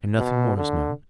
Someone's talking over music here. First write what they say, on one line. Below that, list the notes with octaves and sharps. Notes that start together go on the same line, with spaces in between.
"And nothing more is known?"
B2
D3